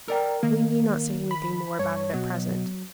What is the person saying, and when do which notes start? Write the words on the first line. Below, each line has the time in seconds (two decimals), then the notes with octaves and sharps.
We need not say anything more about it at present.
0.08 A4 A#4 D5 G5
0.43 D#3 A#3
1.31 B5
1.79 G2 C#5
2.14 B2 F#3